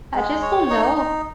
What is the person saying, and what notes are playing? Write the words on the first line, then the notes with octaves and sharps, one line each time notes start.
I just don't know.
G#3
C#5
D#4
D#4